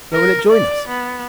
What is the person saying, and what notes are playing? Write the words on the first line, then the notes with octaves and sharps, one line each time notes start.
"Where will it join us?"
A#4
D5
B3